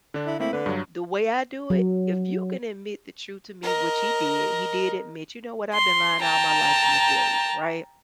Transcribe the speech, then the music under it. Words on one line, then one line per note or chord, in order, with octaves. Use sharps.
the way I do it, if you can admit the truth to me, which he did, he did admit, "You know what, I've been lying all my life in this area," right?
D3 D4
E4
A3 A#3 C4 E4
D3 B4
G2 F#3
F#3
A#4 D#5
C6
G5 A5 A#5